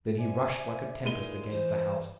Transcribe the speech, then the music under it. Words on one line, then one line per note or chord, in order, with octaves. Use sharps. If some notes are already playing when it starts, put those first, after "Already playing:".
Then he rushed like a tempest against the house.
C5 D5 E5 G#5
A#2 E3 G#3 D#4 D#7 G7
E3 C5